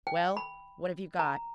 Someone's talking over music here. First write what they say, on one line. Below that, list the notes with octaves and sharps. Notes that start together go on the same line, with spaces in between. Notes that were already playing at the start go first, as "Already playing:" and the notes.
"Well, what have you got?"
G5
B5
A#5